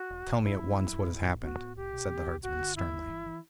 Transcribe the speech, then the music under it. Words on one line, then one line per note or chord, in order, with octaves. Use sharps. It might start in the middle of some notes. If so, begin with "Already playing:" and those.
'Tell me at once what has happened,' said the herdsman sternly.
Already playing: F#4
E1
E1
F#2 E4
F#3
F#2
F#2
A2
A1
B3 F#4
A2
C2 G4
B2
C4
C2
G1 F#4
D3
G2 E4
G1
E3
E3